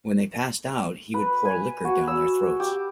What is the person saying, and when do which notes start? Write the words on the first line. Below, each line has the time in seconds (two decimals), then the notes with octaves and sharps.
When they passed out, he would pour liquor down their throats.
1.14 B4
1.45 G#5
1.85 F#4
2.07 E6
2.60 G4